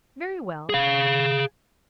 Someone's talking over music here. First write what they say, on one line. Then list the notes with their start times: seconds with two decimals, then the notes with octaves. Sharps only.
Very well.
0.69 G#4 F5